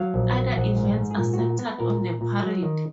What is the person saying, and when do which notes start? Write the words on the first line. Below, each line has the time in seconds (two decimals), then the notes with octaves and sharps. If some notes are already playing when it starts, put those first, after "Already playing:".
Other events are centred on the parade.
Already playing: F#3 F5
0.14 A#1
0.35 F#3
0.56 A#1 F#5
0.76 G#2
0.97 G#2
1.11 G#4
1.17 A#2 A#4
1.33 A#2 F#4
1.59 B3
1.65 B4
1.80 A#2 A#4
2.01 A#2
2.21 A#2
2.42 F#3
2.63 D#3